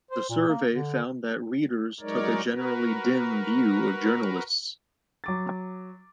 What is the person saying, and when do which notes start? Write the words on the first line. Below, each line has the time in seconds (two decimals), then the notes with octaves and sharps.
The survey found that readers took a generally dim view of journalists.
0.11 C5
0.29 A#2
0.48 A#3
0.71 D3
2.01 F#3 G#3 D#4 A#4 C#5 D5
2.46 F#4 A#4 B4
5.24 F#3 D6 A6